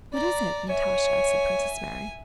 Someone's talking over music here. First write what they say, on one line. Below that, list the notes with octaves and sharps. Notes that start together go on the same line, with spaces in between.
"What is it, Natasha?" said Princess Mary.
D5 A#5
C#5 E5 G#5